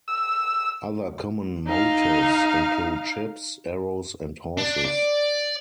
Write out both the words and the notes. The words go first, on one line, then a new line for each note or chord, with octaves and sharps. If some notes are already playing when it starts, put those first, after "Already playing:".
Other common motifs include ships, arrows and horses.
E6
D#4 F5
D4
D5